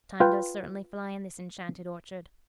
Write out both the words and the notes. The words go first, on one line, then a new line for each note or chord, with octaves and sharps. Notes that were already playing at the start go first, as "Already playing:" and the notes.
Time does certainly fly in this enchanted orchard.
F4 B4 G5